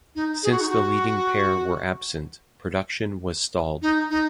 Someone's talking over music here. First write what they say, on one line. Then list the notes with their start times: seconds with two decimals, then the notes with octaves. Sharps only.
Since the leading pair were absent, production was stalled.
0.15 D#4
0.43 G#4
0.52 F#4
0.61 D#4
0.69 F#4
3.82 D#4
4.10 D#4